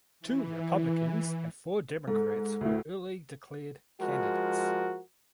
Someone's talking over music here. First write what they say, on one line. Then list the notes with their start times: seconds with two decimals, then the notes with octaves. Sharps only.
Two Republicans and four Democrats were early declared candidates.
0.20 E3
2.08 G#2 A4
2.61 D2 A2
4.01 F3 G#3 F#4 A#4